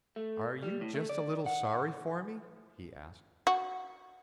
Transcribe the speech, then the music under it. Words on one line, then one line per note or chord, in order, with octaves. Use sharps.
"Are you just a little sorry for me?" he asked.
A3
G3
A2
A3
D5
F#5
F#4